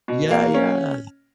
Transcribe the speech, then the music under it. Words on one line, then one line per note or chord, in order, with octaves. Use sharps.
Yeah, yeah.
B2
A#3
C#4